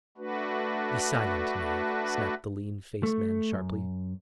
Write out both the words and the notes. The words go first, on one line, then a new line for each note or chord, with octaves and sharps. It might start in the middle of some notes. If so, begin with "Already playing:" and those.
"Be silent, knave!" snapped the lean-faced man, sharply.
A3 D4 F#4 B4
A3
F#2